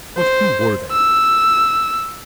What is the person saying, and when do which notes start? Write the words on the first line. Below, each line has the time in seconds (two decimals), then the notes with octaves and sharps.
But who were they?
0.18 C5
0.92 E6